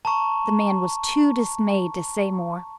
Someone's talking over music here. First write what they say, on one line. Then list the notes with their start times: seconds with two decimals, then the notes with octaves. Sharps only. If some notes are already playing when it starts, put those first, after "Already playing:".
The man was too dismayed to say more.
0.05 A5 A#5 C#6